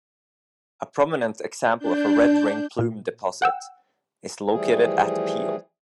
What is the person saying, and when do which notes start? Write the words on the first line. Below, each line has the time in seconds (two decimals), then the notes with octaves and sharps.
A prominent example of a red-ring plume deposit is located at Pele.
1.78 D4 G6
2.79 A#2
3.42 F#5 G5 E6
4.49 E3 F3 G3 A3 G#4